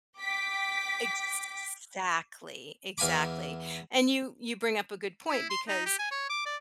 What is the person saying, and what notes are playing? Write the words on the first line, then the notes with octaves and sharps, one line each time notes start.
Exactly, exactly, and you you bring up a good point because
G5 D6 B6
E2 F5 G#5 B5 D6
E4
C6
D#4
G4
G#5
C#5
D6
D5